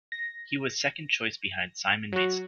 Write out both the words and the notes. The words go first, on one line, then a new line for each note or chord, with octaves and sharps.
He was second choice behind Simon Mason.
A#6
F#3 F#4